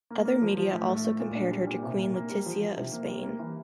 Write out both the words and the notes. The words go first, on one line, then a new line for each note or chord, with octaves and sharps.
Other media also compared her to Queen Letizia of Spain.
A#3
A#3
F3
F3
A2
A3
A3
A#2
D4
G3
A#2
C3
A#3
A#3
G3
F3
F3
C3
A#3
G3
A#3
E3